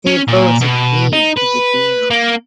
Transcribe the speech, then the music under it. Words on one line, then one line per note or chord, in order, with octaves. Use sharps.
They both agree to the deal.
C#4
A#2
B2
D#4
B4
A#3